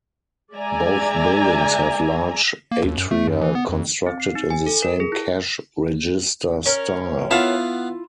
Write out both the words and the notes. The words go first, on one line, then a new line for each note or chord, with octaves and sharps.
Both buildings have large atria constructed in the same cash register style.
G#3 D5 E5 G#5 A#5
A#3
D#2
F#2
A3
F#2
E3
B3
F2
C4
C7
D#4
G#5
A4
A#4
G#4
E4
C#4 A#4
B3 E4 F4 F5 F#5